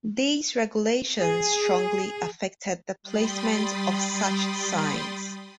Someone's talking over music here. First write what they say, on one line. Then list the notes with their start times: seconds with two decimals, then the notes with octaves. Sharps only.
These regulations strongly affected the placement of such signs.
1.17 G#4
3.03 G3 G5 B5 C6 D#6 A6